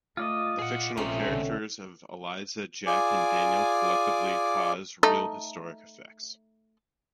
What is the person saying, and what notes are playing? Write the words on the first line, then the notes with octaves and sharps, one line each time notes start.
The fictional characters of Eliza, Jack and Daniel collectively cause real historic effects.
A3 F4 D5 D#5
A#2 G#4 F#5
A#1 C3 G#3 A3 C4 C#4
B1 D3
F4 G#4 D5 G#5 D6
A3 D#4